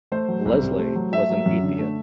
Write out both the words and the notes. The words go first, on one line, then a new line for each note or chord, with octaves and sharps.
Leslie was an atheist.
A3 C5
F#3
C2
C3
A3
F#3
A3 E5
F#3
F#2
D3
A3